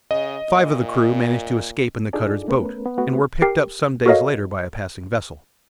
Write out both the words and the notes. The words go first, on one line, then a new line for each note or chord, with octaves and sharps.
Five of the crew managed to escape in the cutter's boat and were picked up some days later by a passing vessel.
C#3 D#5
A#2
D4 D#4 F4 G#4 A4 D5
A3 B3 C#4 A#4 B4
B3
A3 B3 F#4
G4 A#4 G5 C7
F#4 A4 A#4 C#5 D#5 F5